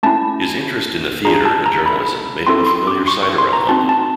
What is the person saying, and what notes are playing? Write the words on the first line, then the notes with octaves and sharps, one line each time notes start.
His interest in the theatre and journalism made him a familiar sight around London.
A3 C#4 E4 A5
D4 F4 G#4 A#5
A5
A#5
B5
C4 E4 A4 C6
C6
D6
C#6
C#6
C6
A#5
C4 D#4 F#4 A5
A5